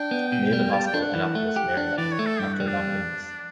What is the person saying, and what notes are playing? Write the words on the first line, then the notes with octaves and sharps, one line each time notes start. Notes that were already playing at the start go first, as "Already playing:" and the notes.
Naval Hospital, Annapolis, Maryland, after a long illness.
Already playing: D4 G5
B3
B2
G3
G4 A5
G5
D4
F#5
E3
A3
G4
D4
E3 D5
C#5
A3
A4
G2 G4
F#4
G3
D4